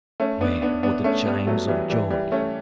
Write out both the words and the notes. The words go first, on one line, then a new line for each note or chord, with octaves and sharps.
Where were the chimes of joy?
A3 C#4
B3 D4
B3 D4
B3 D4
A3 C#4
G3 B3
F#3 A3
E3 G3
E3 G3
E3 G3
A3 C#4